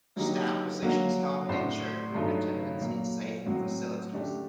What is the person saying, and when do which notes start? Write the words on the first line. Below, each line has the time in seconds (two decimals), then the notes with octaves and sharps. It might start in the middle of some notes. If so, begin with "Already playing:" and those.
Staff positions help ensure good attendance in safe facilities.
0.16 D3 F#3 A#3 D#4 G4
0.82 D3 F#3 A#3 F#4
1.49 A2 A3 D4 F#4 C5
2.15 G2 F#3 A3 D#4 A4
2.80 A#2 F#3 A#3
3.46 A2 F#3 C4 F#4
4.12 F#2 D3 A3 D4 G4